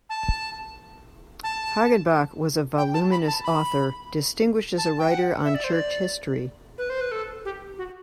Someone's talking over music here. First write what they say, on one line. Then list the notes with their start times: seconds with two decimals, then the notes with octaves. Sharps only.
Hagenbach was a voluminous author, distinguished as a writer on church history.
0.10 A5
1.44 A5
2.78 G5
2.94 A5
3.11 B5
3.28 A5
3.44 B5
4.78 A5
4.99 G5
5.11 F#5
5.45 E5
5.55 D5
5.64 C5
5.73 D5
6.78 B4
6.90 C5
7.01 B4
7.12 A4
7.45 G4
7.78 F#4